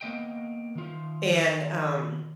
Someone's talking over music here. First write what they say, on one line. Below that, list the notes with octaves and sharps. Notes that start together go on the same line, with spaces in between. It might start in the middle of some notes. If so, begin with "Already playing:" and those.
and, um,
A#3 B3 D#5 G5
D#3 F4